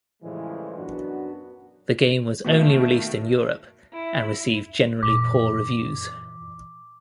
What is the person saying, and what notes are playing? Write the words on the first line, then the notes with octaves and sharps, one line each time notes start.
The game was only released in Europe and received generally poor reviews.
A2 C#3 E3 F3 G3 G#3
F#2 B3 D4 F#4
B2 D#3 A3 A#3
E4
A#2 E3 D6